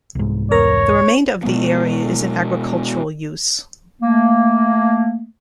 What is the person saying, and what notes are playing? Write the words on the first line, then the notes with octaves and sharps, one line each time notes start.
The remainder of the area is in agricultural use.
C2 G#2
E2 A#4 C#5 A#6
B2 G#3 B3
A3 A#3